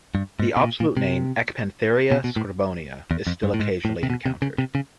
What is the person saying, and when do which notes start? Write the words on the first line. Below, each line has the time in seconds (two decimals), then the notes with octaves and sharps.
The obsolete name "Ecpantheria scribonia" is still occasionally encountered.
0.15 G2
0.40 G#2
0.57 B2
0.64 A#2
0.80 A#2
0.97 C3
2.12 B2
2.24 B2
2.36 A2
3.11 E2
3.27 F2
3.43 G2
3.54 A2
3.60 G#2
3.85 A2
4.03 C3
4.10 B2
4.26 C3
4.42 C#3
4.58 C3
4.75 C#3